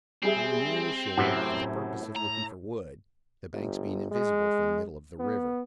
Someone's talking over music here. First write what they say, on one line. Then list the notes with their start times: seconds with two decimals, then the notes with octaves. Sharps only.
We were nearing the shore, for the purpose of looking for wood, the banks being invisible from the middle of the river.
0.23 G3 C4 G#4 E5
1.17 F#2 A2 C3 F#5
2.16 A#5
3.53 G1
4.11 G#3
5.19 B3